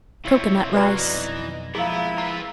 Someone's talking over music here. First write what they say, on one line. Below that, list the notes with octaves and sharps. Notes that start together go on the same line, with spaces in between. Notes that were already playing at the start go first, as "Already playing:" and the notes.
Cocoanut Rice.
B2 C4 E4 F4 C#5
F#4 B4 D5 A#5
B1 F2 E3 D#5
F3 G#3 B3 E4 G#4 A#4 F5
F4 B4 A#5